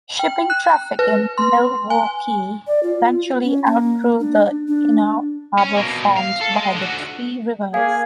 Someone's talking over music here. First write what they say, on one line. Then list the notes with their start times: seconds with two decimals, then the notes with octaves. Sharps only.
Shipping traffic in Milwaukee eventually outgrew the "inner" harbor formed by the three rivers.
0.19 G5
0.50 F#6
0.99 B4
1.38 C6
1.90 G#5
2.67 D5
2.83 F4
3.44 C#4
3.66 A#3
4.20 D4
4.68 D4
5.58 C#4
5.76 B2 A#3
6.17 F5
6.42 A4
6.54 G#3
6.76 D3 F#4
7.74 A#3 G#4 F5 G#5